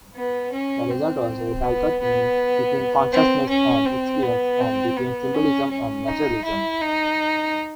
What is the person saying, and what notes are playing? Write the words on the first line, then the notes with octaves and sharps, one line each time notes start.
The result was a dichotomy between consciousness and experience and between symbolism and naturalism.
B3
C#4
C4
B3
B3
C4
C#4
C4
B3
C4
B3
C#4
C#4
D#4
E4
D#4